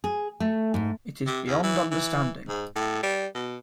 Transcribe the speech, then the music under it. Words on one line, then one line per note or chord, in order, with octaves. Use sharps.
It is beyond understanding.
G#4
A3
G#2
C3
E2
E3
E3
G#2
A2
G3
B2